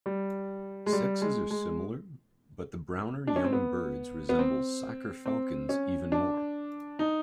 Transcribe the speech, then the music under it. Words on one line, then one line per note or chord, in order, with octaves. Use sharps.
Sexes are similar, but the browner young birds resemble saker falcons even more.
G3
G#3
G3
G#3
G#3
D4
C#4
C4
B3
B3
C4
C4
C#4
D4
D#4